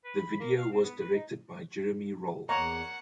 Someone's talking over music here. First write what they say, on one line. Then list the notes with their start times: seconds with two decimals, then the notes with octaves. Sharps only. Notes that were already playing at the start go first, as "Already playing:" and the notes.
The video was directed by Jeremy Rall.
0.05 B4
0.19 B5
0.40 A#3
0.58 F5
0.72 C4
0.83 B3
1.01 B4
1.13 D#4
2.49 E2 A#3 C#5 F#5 A#5 C#6